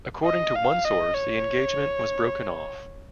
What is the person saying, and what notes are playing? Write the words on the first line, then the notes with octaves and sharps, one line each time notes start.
According to one source the engagement was broken off.
D#5
F5
D#5
C#5